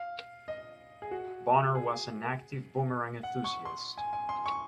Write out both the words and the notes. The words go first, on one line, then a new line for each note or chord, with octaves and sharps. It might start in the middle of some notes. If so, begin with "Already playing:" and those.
Bonner was an active boomerang enthusiast.
Already playing: F5
D#5
G#4
F#4
G#4
F#5
C#6
C6
G#5
G#5
C6
C#6